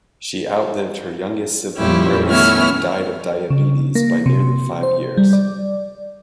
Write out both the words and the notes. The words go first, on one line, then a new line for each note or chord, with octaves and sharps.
She outlived her youngest sibling, Grace, who died of diabetes, by nearly five years.
F2 A#2 G3 C#4 E4 G4
D#3 A3 B3 C#4 E4 F6
C#3
A#3
C3
C5
G3
D5